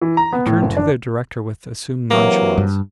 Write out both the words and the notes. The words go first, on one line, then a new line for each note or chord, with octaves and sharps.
He turned to the director with assumed nonchalance.
E3
A#5
B3
A2
F#1
D4
C3 E3 F#3 A#3
G2